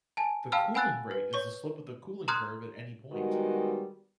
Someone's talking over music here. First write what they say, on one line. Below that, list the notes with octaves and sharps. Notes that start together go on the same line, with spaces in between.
The "cooling rate" is the slope of the cooling curve at any point.
G#5 A5
F5 G5 A5 B5 E6 F6
F#5 G#5 B5 E6 F#6 A6
B4
C#5 C#6 G7
A#5 C6 D#6 F6 F#6 G#6
D#3 G3 G#3 B3 F#4